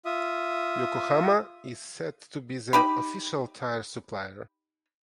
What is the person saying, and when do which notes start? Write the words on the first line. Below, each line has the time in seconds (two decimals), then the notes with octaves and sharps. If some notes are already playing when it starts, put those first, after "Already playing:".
Yokohama is set to be the official tyre supplier.
0.05 F4 E5 D#6
2.73 D#4 G4 B5